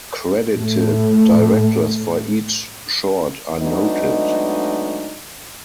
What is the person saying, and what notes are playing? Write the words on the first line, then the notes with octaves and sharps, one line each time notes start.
Credited directors for each short are noted.
A2 A3
F#3 G#3 A3 B3 D4 D#4